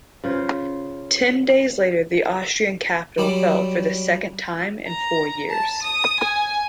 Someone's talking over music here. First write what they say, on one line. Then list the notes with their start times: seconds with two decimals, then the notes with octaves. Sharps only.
Ten days later, the Austrian capital fell for the second time in four years.
0.24 C#3 F4 C5
3.18 F#3 G3 D5
4.87 A#5
5.50 A5
5.83 D#6
6.20 G#5